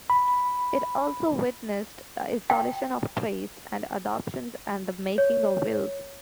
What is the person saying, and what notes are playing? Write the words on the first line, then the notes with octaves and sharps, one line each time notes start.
It also witnessed the installation of priests, and adoptions, and the making of wills.
B5
G5
C#5